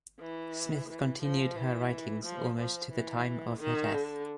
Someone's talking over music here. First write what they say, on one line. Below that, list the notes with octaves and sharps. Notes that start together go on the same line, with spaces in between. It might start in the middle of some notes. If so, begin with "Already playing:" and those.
Smith continued her writings almost to the time of her death.
E3
E3
F3
E3
F3
F3
E3
D#3
D3